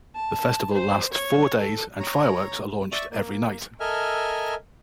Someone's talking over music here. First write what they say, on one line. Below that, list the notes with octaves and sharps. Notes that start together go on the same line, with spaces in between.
The festival lasts four days and fireworks are launched every night.
A5
C5
C#5
A4
C#5 A#5
D5 E5 C#6
A#3
A4 A#4 D#5 E5 G#5 F6